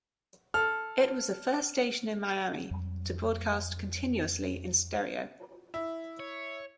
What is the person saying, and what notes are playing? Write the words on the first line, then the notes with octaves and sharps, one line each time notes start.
It was the first station in Miami to broadcast continuously in stereo.
A4 F6
F2 F#3 G3
E4
C#5